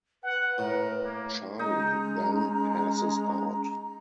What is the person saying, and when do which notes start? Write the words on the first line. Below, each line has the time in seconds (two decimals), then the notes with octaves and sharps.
Charlie then passes out.
0.24 B4 F#5
0.58 A2 A#4
1.03 A#3 C#5
1.59 G#3 C#4 D#4 A#5